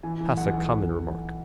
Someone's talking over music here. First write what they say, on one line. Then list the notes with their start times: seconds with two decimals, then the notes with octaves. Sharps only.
Pass a common remark.
0.03 E3 G#5
0.21 E3
0.37 B1 F#5
0.54 E3